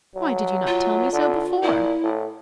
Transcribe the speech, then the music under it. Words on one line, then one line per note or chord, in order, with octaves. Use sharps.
Why did you not tell me so before?
F#3
F4
D3
A#2 E4
A2